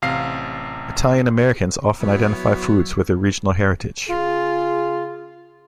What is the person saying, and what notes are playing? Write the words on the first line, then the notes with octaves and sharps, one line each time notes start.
Italian-Americans often identify foods with their regional heritage.
A1 C3 F5 C7
F#3 B3 E4 F#4 C#5
C#3 F4 G#4